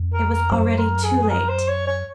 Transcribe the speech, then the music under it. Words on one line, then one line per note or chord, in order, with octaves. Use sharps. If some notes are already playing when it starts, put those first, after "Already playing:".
It was already too late.
Already playing: F2
A#4
A#4
F#2 C5
C5
A#4
G#4
G#4
A#4
C5
C#5
C#5